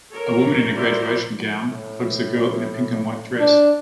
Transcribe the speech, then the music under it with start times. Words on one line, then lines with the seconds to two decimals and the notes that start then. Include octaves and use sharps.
A woman in a graduation gown hugs a girl in a pink and white dress.
0.13 A4 A#4 C#5
0.73 E4 F#4 A#4 C5 D5
1.72 A2
3.39 D4